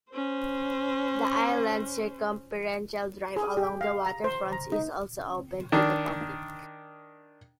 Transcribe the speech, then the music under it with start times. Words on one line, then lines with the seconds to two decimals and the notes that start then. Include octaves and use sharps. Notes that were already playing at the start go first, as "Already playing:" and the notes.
The island's circumferential drive along the waterfront is also open to the public.
0.11 C#4 C5
3.36 G#4
3.57 G4
3.81 F5
4.06 A#5
4.24 C5
4.52 A#5
4.72 D#4
5.72 D#3 D4